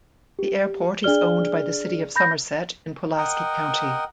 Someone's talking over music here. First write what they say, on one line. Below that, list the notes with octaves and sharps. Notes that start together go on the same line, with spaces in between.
The airport is owned by the city of Somerset and Pulaski County.
G4
D4 G#4 D5 F6 G7
B5 G6 A#6
A#4 D#5 F#5 G5